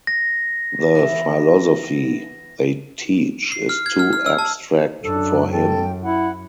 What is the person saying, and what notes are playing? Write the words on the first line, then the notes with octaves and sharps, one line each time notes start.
The philosophy they teach is too abstract for him.
A#6
E3 B3 E4
C7
F6
G#6
F6
F6
E6
A5
F#2 D4 A4
A4 G5
E4 F#5